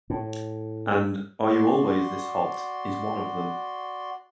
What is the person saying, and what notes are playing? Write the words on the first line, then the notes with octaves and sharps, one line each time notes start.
And "Are You Always This Hot" is one of them.
A2
F#4 D5 C6